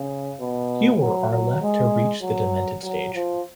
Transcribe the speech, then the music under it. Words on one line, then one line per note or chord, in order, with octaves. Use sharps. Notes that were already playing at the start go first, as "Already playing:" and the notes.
Fewer are left to reach the demented stage.
Already playing: C#3
B2
F#3
F#3
G#3
F#3
F#3
F3